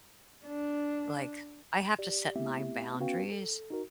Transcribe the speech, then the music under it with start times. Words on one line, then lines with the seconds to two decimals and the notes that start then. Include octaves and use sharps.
like, I have to set my boundaries
0.46 D4
1.99 G4 D5
2.36 A3 B3 C4 E4 G4 E5
3.00 B3 C#4 F#4 B4 F5 G5
3.32 A4
3.70 D#4 F#4 A#4